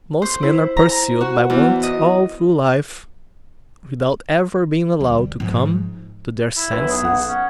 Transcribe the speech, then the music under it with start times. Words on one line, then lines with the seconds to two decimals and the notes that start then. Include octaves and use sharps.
Most men are pursued by want all through life, without ever being allowed to come to their senses.
0.22 C5
0.43 E4
0.77 A#5
1.21 F#4
1.50 E2
1.83 D#5
5.01 D2 G3
5.40 G#2 F3
6.57 E4
6.73 B1 B4
6.90 G#4
7.05 F#5
7.28 C#4